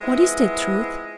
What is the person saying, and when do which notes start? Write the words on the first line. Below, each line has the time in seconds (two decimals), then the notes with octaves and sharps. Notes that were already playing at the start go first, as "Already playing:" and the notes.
What is the truth?
0.01 F3 G#3 B3 C4 E4 E5